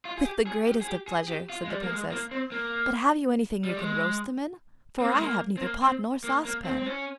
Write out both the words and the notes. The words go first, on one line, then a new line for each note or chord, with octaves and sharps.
'With the greatest of pleasure!' said the Princess; 'but have you anything you can roast them in? for I have neither pot nor saucepan.'
F4
G#4
G4
G#4
G4
G#4
G4
G#4
G4
F4
G#3
G3
A#3
G#3
A#3
C4
A#3
G3
G#3
C4
A#3
G#3
A#3
C4
A#3
C4
A#3
A#3
C4
C4
C#4